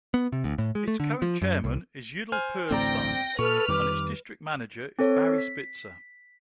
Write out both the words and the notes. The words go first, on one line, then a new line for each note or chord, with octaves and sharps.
Its current chairman is Yidel Perlstein, and its district manager is Barry Spitzer.
B3
C3
D2
A2
G#3
A3
D3
F3
F#2
C2
C5 G#5 F6
A1 D2 A2 C4 D5 G5 A#5 A#6
A#2 A4 B4 C#6 F6
F2 D#3 G3 D6
C4 A4 C#5
B6